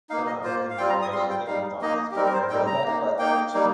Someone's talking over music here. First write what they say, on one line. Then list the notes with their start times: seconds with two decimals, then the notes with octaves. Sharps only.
Oh goodness gracious, I think McDonald's is more America than that, but I get you.
0.10 A#3 D#4 F5
0.27 D#5
0.44 A#3 F4 C5
0.70 F5
0.78 G3 C4 F4 G5
0.89 A#5
1.02 D#6
1.12 G3 C4 F4 C6
1.30 G5
1.47 G3 D#4 F5
1.81 A#3 D#4 D#5
2.11 G4
2.15 G3 C4 D#4 A#4
2.26 A#4
2.33 C5
2.50 G3 C4 D#4 G5
2.67 A#5
2.84 A#3 D#4
3.19 A#3 D#4 G5
3.54 G3 A#3 D#4